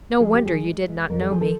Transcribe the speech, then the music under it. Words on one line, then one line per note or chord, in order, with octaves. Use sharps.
No wonder you did not know me.
F3 G#4
G4
F3 G#4
G#3
G#3
F2 A#4
A4
F3 G#4
A4